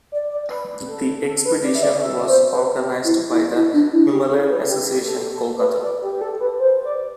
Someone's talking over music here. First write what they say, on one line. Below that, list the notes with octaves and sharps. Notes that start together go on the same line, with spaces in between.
The expedition was organised by the Himalayan Association, Kolkata.
D5
D5
B4
A4
A4
B4
D5
E5
D5
E5
E5
C5
B4
G4
E4
E4
E4
D4
E4
G4
A4
B4
G4
G4
A4
A4
B4
D5
G4
G4
A4
B4
C5
D5